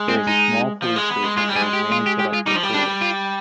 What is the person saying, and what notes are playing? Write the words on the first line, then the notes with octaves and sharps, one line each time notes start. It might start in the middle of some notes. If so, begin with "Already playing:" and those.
There is a small police station that was mainly set up for tourists.
Already playing: G#3
C4
D#4
F3
G#3
B3
G#3
G#3 F4
G3
G#4
G#3
G4
F4
G4
G4
F4
G3 D#4
F3
G3
D4
F4